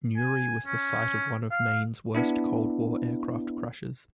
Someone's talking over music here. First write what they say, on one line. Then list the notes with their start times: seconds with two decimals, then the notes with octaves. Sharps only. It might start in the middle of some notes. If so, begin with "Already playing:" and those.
Newry was the site of one of Maine's worst Cold War aircraft crashes.
0.17 G#5
0.66 C#4
1.51 F5
2.15 B3 D4 E4